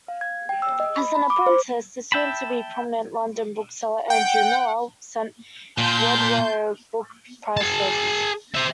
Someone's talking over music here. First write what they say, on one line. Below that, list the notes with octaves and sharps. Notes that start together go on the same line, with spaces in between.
As an apprentice, the soon-to-be prominent London bookseller Andrew Millar sent Wodrow book price-lists.
F5
G#6
G5
E6
D#5
B5
B5
D6
C5
E5 G5 A5 B5
F#5 G5
A#2 A5 C6 G6
G#4 A5
C5 E5